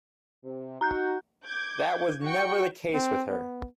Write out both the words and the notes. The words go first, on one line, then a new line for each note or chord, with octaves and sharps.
That was never the case with her.
C3
D#4 F#4 A#5 F#6 G6
D6 G6 G#6
F#4 G5 C#6 C#7
C4
B3